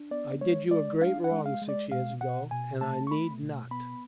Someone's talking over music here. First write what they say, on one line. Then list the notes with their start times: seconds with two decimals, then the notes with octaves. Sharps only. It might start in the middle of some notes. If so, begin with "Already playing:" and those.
"I did you a great wrong six years ago, and I need not."
Already playing: D4
0.11 B3 D5
0.41 G#3 C#5
0.71 G#3 D5
1.01 D4 F5
1.24 F#5
1.31 G#3
1.46 F5
1.62 G#3
1.69 D5
1.91 B2 F5
2.21 B2 F#5
2.51 B2 G#5
2.81 A3 A5
3.07 C#6
3.11 A3 B5
3.42 B2
3.71 B3 B5